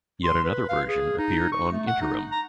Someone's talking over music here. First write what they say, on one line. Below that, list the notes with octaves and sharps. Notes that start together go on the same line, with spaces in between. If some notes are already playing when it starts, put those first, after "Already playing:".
Yet another version appeared on "Interim".
C6
B4
F5
G#4
D#4
C#6
A3
F#5
D#4
A#5